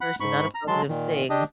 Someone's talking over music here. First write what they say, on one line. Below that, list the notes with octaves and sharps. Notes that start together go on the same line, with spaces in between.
person, not a positive thing.
F#5 B5
G#2 B5 C#6
A#5
F#3 G#3 A5 C6
A#2 D#3
D4 G4 D#5